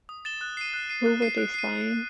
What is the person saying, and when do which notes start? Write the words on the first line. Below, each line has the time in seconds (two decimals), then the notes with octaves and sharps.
Who were they spying?
0.09 D#6
0.25 A6 E7 G7
0.41 F#6
0.57 C7 D#7
0.73 F#6
0.90 C7 D#7
1.06 F#6
1.22 C7 D#7
1.38 F#6
1.54 C7 D#7